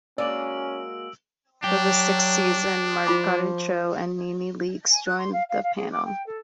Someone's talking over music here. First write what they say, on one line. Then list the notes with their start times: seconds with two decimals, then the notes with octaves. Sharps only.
For the sixth season, Margaret Cho and NeNe Leakes joined the panel.
0.18 G#3 A#3 C#4 F#4 D5 E6 D7 F#7
1.64 F#3 D4 G4
3.07 F3 F4 B5 D6
4.90 G#5
5.06 F#6
5.18 C6
5.32 F5
5.49 F5
5.63 F5
5.76 G#4
5.91 D6
6.05 G5
6.26 A4